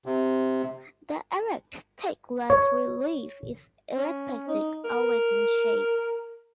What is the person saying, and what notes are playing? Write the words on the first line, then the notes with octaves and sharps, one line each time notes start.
The erect, thick, leathery leaf is elleptic-ovate in shape.
C3
C#5
C#4
D#4
A#4